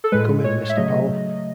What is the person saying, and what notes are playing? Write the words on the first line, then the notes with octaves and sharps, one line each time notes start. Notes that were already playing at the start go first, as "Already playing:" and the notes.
Come in, Mr. Powell.
A4
A2 G#3 B4
C#5
E5
C#3 F#3 A3 D#5